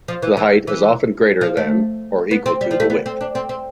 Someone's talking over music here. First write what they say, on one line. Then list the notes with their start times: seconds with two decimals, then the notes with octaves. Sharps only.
The height is often greater than or equal to the width.
0.08 F3
0.22 E3
0.37 E3
0.67 E3
1.41 F3
1.57 A3
2.31 B3
2.46 C4
2.61 G3
2.71 F3
2.80 A3
2.90 B3
3.06 C4
3.21 D4
3.35 C4
3.49 C4